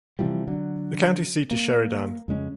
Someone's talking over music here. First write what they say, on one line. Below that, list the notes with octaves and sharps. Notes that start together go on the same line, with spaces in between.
The county seat is Sheridan.
C3 E3 F3 G3
D3 F#3
A#3
F2 C#3 G#3 C#4